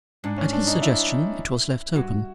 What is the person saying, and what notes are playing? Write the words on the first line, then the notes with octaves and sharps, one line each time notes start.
At his suggestion it was left open.
G#2 D4
C#4
D4
D#4
E4
G2 F#4